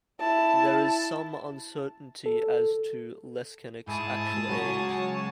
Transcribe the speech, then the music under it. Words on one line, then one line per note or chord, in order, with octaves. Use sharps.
There is some uncertainty as to Leskanic's actual age.
E4 A5
A4
G#2 E4 G#4 A5
C#3 F#3 G#3 C#5